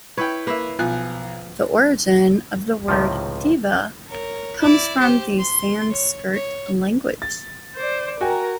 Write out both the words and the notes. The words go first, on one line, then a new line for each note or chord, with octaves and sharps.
The origin of the word 'deva' comes from the Sanskrit language.
E4 B4 C#5 G5
A#3 B4 E5
B1 F3 G#5 F#6
C#2 A2 C3 D#3 F3
A#4 C#5
E4 D5
G4 C5
C6
C#5
C#5
A6
C5 D5
F#4 A#4 G5 G#5 A#5